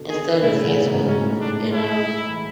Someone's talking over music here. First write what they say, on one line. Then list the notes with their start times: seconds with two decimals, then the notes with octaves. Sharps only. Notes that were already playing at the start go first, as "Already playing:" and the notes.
instead of fast food, you know?
Already playing: B2 D3
0.10 G#4
0.42 A2 C#3 E4
0.64 C#3 E3
0.86 G#2 B2
1.08 G#2 C#4
1.18 A2
1.27 G#2
1.40 G#2 D4
1.73 E4
2.28 E3